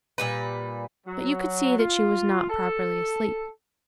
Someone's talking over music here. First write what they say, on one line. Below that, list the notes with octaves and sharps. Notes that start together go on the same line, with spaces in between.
But you could see that she was not properly asleep....
A#2 G3 B4
F#3
F4
A4